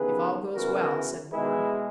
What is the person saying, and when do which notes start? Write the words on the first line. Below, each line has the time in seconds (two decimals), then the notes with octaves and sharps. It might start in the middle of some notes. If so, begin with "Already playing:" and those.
"If all goes well," said Bourne.
Already playing: D#2 C#3 E3 B3 G#4 B4
0.54 F#2 C#3 E3 B3 F#4 A#4
1.33 B2 G#3 B3 E4 G#4